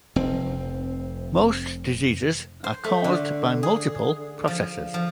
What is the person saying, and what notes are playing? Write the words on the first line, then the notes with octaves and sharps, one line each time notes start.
Most diseases are caused by multiple processes.
F1 C4
C5
A3
D3
G#4
F3
F3